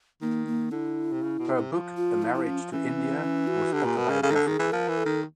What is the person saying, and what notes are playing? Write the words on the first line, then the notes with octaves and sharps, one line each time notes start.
Her book "A Marriage to India" was autobiographical.
D#3 A#3
A#3
D3 E4
C3
C#3
B2
C3
F3
F4
E4
E4
C#4
E3 C#4
C#4
F#4
D3 G4
A#2
B2 A#4
C#3
C#3 A4
D#3
D3
D#3 G#4
E3
F3 A#4
E3
A4
D#3